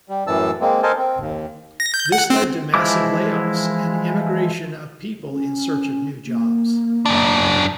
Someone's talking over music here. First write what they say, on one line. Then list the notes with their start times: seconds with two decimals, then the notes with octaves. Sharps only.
This led to massive layoffs, and emigration of people in search of new jobs.
0.09 G3
0.27 F#2 A2 E3 A5 E6
0.61 G#3 A#3 C4
0.83 A4 A#4 C5 D#5 G#5 A5
0.98 C4
1.20 D#2
1.80 A#6
1.94 G6
2.12 F#5
2.30 C4
2.74 E3 F3 G#3 E4 D6
5.29 C#4
6.26 A#3
7.06 F#2 D4